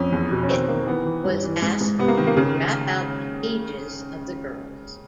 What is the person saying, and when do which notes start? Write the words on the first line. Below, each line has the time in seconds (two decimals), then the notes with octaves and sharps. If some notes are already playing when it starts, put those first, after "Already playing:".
"It" was asked to rap out the ages of the girls.
Already playing: F2 C#4
0.12 E2
0.31 B2
0.43 C#4
0.49 D#3 C4
0.68 D#3 A#3
0.87 E3 B3
1.05 E3
1.24 G2
1.44 E3
1.62 G#2
1.81 G#2
1.99 C3 B3
2.08 A#3
2.17 D#3
2.27 A#3
2.37 C#3